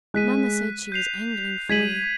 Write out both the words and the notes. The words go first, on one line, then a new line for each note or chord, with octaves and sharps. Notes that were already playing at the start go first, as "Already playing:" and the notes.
Mamma said she was angling for you.
G#3 F#6 B6 D#7
G6 C7 F7
G#3 G#6 B6 D#7 F#7